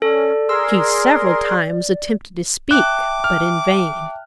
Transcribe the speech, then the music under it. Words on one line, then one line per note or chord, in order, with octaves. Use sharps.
She several times attempted to speak; but in vain.
C#4 A4 D5
G#4 A#4 C6 E6
E5 G5 A5 D6 F#6
F6